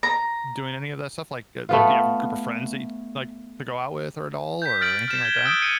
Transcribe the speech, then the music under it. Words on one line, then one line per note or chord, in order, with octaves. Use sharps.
doing any of that stuff? Like, uh, like, do you have a group of friends that you like to go out with or at all, or anything like that?
A#5
A3 B3 F4
G6 B6
F6 A6 D7 F#7
F6 A6 E7
G#6 G7
D#6 E6 F#6 A6 D7
C#7 D#7